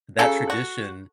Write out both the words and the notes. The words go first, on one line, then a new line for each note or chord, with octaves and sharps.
that tradition
C#3 F#3 A4
F#4